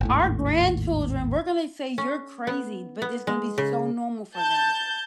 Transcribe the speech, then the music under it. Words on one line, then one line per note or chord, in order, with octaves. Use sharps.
our grandchildren we're gonna say "You're crazy," but it's gonna be so normal for them.
G#1 D#2 A2
C#4
B3
B3
G#3
C#3
A5 G6